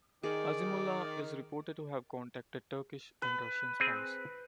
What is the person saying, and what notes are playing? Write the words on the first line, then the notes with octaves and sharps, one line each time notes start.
Azimullah is reported to have contacted Turkish and Russian spies.
D#3 G#4 D5
B4
C4 G#4